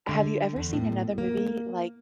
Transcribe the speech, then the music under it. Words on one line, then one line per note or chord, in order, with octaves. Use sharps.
have you ever seen another movie like
D3
E2
A2
A#3